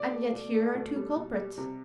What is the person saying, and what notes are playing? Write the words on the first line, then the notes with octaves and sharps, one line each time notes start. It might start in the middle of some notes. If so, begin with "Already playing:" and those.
"And yet here are two culprits."
Already playing: B2 D5
A3
B2
A3
B2
G3
B2
G3
C3